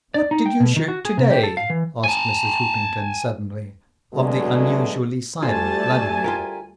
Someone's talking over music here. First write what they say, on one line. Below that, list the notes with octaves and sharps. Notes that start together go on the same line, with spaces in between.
"What did you shoot to-day?" asked Mrs. Hoopington suddenly of the unusually silent Vladimir.
D5
D#4
G5
B2
D#3
F#4
G#4
C3
G4
A4
F5
E3
G#5 A5
B2 D3 F#3 G#3 A3
D2 G3 A3 F4 G#5 A5
F4 G4 A#4